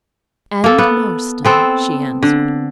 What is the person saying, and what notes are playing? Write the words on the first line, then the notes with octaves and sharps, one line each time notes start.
"And Marston," she answered.
A#3 A4
B3
B3 C4 A4
D3